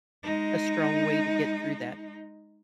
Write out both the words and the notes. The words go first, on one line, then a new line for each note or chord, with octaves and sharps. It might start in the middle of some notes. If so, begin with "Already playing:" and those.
a strong way to get through that
G#3 D#4